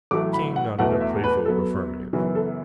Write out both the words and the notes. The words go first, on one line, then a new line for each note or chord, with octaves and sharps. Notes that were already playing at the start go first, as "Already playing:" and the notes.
The king nodded a playful affirmative.
A1 A2 F#3 A3 D6
B5
F#5
E2 B2 A3 F#5
E5
B4
F#2 F#3 B3 A4
F#1 F#2 E3 B3 F#4
A4